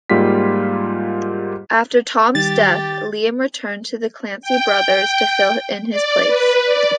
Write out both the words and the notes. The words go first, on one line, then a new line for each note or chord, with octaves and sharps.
After Tom's death, Liam returned to the Clancy Brothers to fill in his place.
G#2 G3 A#3 F4 G4 B6
D#3 G3 G4 A6
G5
D5
B4
D5